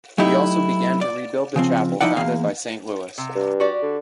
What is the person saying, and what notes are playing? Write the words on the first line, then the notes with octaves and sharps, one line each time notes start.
He also began to rebuild the chapel founded by Saint Louis.
F#3 A3 D#4 E4 G4
D5
C#3 F3 C4
F3 D#4 E4 D5 F#5
E2 A#3 F5
C3
G2
F#4 G4 D5
D3